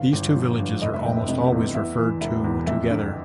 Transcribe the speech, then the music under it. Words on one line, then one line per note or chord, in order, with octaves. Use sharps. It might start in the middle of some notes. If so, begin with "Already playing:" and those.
These two villages are almost always referred to together.
Already playing: G1 F5
G1
F3
G2
F1 D#5
E5
F1 G5
E5
C3 D#5
E2
E2 E5
E3
E1 E5
E2
F2 E5
D3